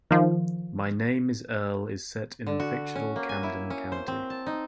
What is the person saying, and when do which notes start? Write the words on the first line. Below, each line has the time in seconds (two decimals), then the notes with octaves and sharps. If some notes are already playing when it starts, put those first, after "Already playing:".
"My Name Is Earl" is set in fictional Camden County.
0.11 D#3 F3
2.47 D3
2.60 F#4
2.95 C#4
3.16 A#3
3.29 G#5
3.43 E4
3.70 C#4
3.92 C5
4.08 C4
4.30 A5
4.46 D#4